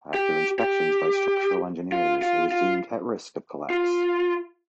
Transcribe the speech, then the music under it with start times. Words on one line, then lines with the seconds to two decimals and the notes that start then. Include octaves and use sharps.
After inspections by structural engineers, it was deemed at risk of collapse.
0.14 G4
0.59 G4
1.92 F4
2.22 F4
2.52 F4
3.70 F4